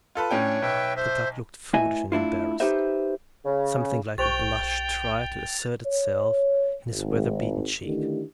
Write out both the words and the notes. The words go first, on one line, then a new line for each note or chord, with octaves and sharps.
Kentuck looked foolish and embarrassed. Something like a blush tried to assert itself in his weather-beaten cheek.
F4 A4 B4
A2 C#4 D4 C#5 G5
B1 B4 E5 G5
C5 E5
A3 E4 B4 D#5 E5 G#5
A3 D4 E4 F4
D#4 G4 A4 B4 C5 E5
C#3
B1 G4 C5 G5 C#6 A6 F7
C#5
G#1
D3 D#3 A3 D4 E4 G4